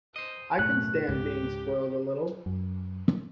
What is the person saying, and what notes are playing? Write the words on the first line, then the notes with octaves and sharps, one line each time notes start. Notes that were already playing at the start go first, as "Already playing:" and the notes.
I can stand being spoiled a little.
C5 D#5
B1 F#2 A2 A3 F#6
C#2 G#2 C#3 G4
F#2